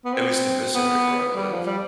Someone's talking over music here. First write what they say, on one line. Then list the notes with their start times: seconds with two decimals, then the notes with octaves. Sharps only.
at least in this area where I live
0.05 B3
0.13 C4
0.75 B3
1.35 G3
1.52 F3
1.66 G3